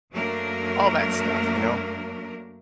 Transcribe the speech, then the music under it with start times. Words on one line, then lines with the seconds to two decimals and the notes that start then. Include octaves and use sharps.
all that stuff, you know,
0.11 F#2 F#3 A3 A#3 D4 A#4